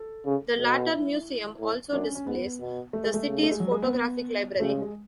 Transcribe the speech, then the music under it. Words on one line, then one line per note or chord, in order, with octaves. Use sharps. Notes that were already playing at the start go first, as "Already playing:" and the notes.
The latter museum also displays the city's photographic library.
Already playing: A4
C#3
B2 A4
E4
A2
F#2 D4
C#4
C#4
G#2 B3
B2
A3
G#3
A3
C#3
A3
G#3
F#3
G#3
B3
B3
C#3 A3
G#3
G#3